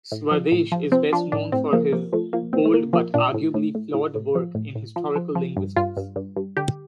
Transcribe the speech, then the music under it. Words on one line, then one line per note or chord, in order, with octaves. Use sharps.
Swadesh is best known for his bold but arguably flawed work in historical linguistics.
A2
F3
A2
F3
F3 C4
F3 D4
A2 D4
A2 C4
F3 A#3
F3 A#3
F3 A3
F3 A#3
A#2 C4
A3
A#2 A#3
F3 A#3
A#2 D4
A2
A2
A2
A2
A2
F3
A2
A2
F3
F3
F3
G2
G2 F4
G2
G2
G2
D3 G4